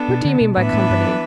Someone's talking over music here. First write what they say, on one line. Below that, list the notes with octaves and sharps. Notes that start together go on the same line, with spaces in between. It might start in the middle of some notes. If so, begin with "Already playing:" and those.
"What do you mean by company?"
Already playing: B3 D4 A4
B2
D3
B2
A2 E3 B3 D4 B4 E5
A2
G2